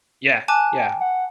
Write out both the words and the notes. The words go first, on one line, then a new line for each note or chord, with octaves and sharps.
yeah, yeah.
G#5 A5 D6 F#6
G5
F#5